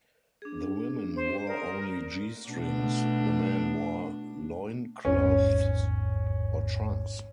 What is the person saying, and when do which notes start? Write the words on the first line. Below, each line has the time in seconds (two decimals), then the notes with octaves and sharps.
The women wore only G-strings; the men wore loincloths or trunks.
0.42 D4 G#4
1.16 C5
1.47 A#4 D5 D#6
2.47 B2 A3 D4
5.05 A1 E2 G#2 C#4